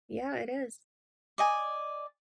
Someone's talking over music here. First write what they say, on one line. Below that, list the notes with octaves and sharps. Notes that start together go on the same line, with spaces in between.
Yeah, it is.
D5 D#5 G#5